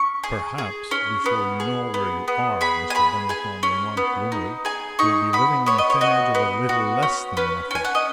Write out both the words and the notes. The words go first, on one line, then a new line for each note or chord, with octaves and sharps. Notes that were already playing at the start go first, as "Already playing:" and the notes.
"Perhaps, before you know where you are," Mr. Bundercombe remarked gloomily, "you'll be living on the thin edge of a little less than nothing!"
Already playing: C#4 C#6
G#4
G#4
C#4
B3
G#4
B3
B3
G#4 B5
G#5
G#4 B5
G#4 G#5
C#4
B3
D#4
G#4 G#5
D#4 C#6
B3 B5
B3 C#5
D#5
C#5
F#4 D#5
B3
F#4
C#4
C#4 B4
C#4 G#5
F#5
D#5